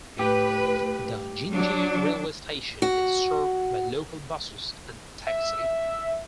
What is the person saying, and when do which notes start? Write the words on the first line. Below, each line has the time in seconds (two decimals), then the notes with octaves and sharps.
The Jinjiang Railway Station is served by local buses and taxi.
0.19 A2 G4 B4
1.50 F#3 D4
2.82 F#4
5.27 E5